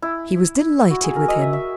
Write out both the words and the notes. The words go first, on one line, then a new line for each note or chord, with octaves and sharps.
He was delighted with him.
E4
F#4
G#4
A#4
D#5
E5
E5